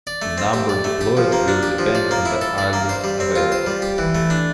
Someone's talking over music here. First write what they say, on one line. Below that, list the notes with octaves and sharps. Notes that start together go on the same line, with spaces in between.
The number deployed will depend on the airlift available.
D5
A3
C4
G4
D5
A3
G4
F3
A#3
D4
G4
F3
D5
A#3
E4
A4
D5
A#3
C5
G3
C4
F4
C5
G3
G4
E3
A3
D4